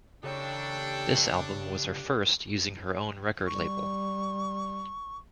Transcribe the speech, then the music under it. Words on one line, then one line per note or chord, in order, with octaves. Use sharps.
This album was her first using her own record label.
C#3 D4 G4 A4 C#5 G5
G3 C#6